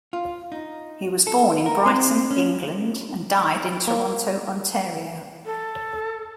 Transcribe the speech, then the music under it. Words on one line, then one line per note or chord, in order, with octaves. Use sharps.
He was born in Brighton, England and died in Toronto, Ontario.
F4
D#4
A4
A#4
C4
C#4
A#3
A4